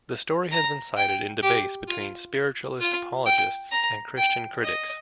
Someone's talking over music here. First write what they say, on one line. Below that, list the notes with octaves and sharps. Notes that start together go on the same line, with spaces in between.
The story has been cited in debates between Spiritualist apologists and Christian critics.
A#5
G5
G4
F4
F4
G5
A#5
G5
D#5